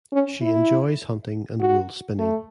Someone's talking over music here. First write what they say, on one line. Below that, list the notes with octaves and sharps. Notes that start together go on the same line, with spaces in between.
She enjoys hunting and wool spinning.
C#4
E4
F#4
A3